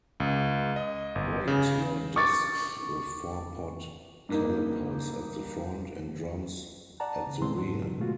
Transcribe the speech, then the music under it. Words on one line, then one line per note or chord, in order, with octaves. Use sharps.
Brakes were discs with four-pot calipers at the front, and drums at the rear.
C#2
D#5
G1
C#3
C#6 D6 A6
G2 A#3 D#4
D5 F#5 A5 A#5
C#3
A#2 D3 E3 G#3 C4 C6
G#2 F#3
B2 D3 G#3 A3 F4 F#4